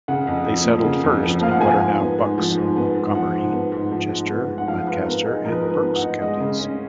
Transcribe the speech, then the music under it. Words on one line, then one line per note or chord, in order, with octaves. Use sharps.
They settled first in what are now Bucks, Montgomery, Chester, Lancaster, and Berks Counties.
C#3 F#5
F2
F3
A#3
C#3
F2
F3
A#3 F5
F#5
F3 G#5
G#2
B3
G#2
F3
G#2
B3
G#2
F3 F#5
G#2
B3
G#2
F3
G#2
B3
G#2
F#5
F3 F5
G#2 B4
B3 A#4
D#4 G#4
F3 A#4
B4
A#4
G#2
B4
B3
F#5
D#4
G#3 D#5
C#3
C#4